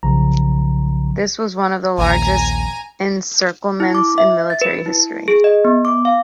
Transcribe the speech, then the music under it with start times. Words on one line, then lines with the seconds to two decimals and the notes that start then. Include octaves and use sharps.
This was one of the largest encirclements in military history.
0.03 B1 C#3 F3 A#5
1.98 A#1 D#2 G#5 A#5
3.80 E4
3.95 D6
4.18 E5
4.50 A6
4.61 B4
4.86 E4
5.28 G#4
5.44 D#5
5.65 B3
5.85 D6
6.05 F5